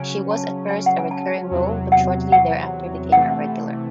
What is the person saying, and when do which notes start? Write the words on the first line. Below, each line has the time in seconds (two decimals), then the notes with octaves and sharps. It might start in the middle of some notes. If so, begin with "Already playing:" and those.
She was at first a recurring role but shortly thereafter became a regular.
Already playing: C#3 F#3 C#4 G#5
0.31 A5
0.71 G#5
0.86 F#5
0.99 G#5
1.11 A5
1.51 E2 C3 F#3
1.92 F#5
2.32 F#5
3.12 C3 E3 A3 F#5